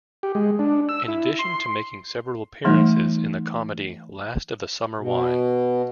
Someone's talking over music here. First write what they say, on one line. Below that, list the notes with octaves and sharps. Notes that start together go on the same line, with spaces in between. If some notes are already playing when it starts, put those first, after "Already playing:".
In addition to making several appearances in the comedy Last of the Summer Wine.
G4
G#3
D4
E6
E4
C6
E3 G3 A3 D#4
B2